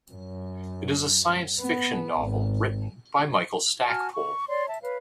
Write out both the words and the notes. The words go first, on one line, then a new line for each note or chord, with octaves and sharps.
It is a science fiction novel written by Michael Stackpole.
F#2
B3
G#1
F#4 G#5 A5 F6
C#6
C#5 D5 C6
E5 A5
B4 C#5 F5